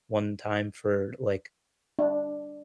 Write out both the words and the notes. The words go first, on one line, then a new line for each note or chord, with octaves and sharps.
one time for, like,
D4